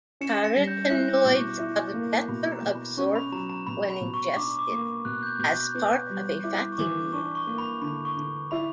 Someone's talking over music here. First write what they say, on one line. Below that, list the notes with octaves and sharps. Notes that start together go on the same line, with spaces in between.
Carotenoids are better absorbed when ingested as part of a fatty meal.
C#4 C#7 E7
A#6 C#7
G3
G6
E4 F#6
D6
B2
C#6
E4
A#3
B2 B5
A#5
B2
B5
C#4 C#6
B5
F#3 A#5
A#5
B2 B5
B5
B2
C#6
D4 D6
D6
A#3
D6
B2 F#6
G6
B2 G6
F#6
B3
G3
E4 D6
C#6
E3 D6
D4 C#6
C#6
A#3
B5
D3 B5
C#6
D3
E4 B5